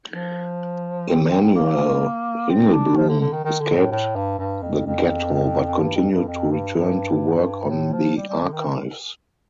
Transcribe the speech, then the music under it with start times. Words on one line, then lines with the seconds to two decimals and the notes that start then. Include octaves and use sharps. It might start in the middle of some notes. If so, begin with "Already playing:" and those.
Emanuel Ringelblum escaped the ghetto, but continued to return to work on the archives.
0.13 F3
1.08 C4
1.31 C4
1.43 C4
1.55 A#3
2.50 C4
2.73 D4
2.96 F3
3.09 D3
3.20 D3
3.32 D#3
3.44 D#3
3.60 D3
3.75 A2
3.91 A2
4.15 G2
4.38 G2
4.62 F2
4.85 F2
5.80 G2
5.96 F2
6.11 G2
6.27 F2
6.52 G2
6.75 G2
7.69 A2
7.93 F3
8.16 G3
8.29 G3
8.40 D3
8.52 D#3